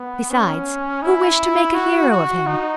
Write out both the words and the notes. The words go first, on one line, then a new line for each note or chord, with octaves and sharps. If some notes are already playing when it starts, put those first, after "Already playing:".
Besides, who wished to make a hero of him?
Already playing: B3
C#4
E4
F#4
F#4
D#4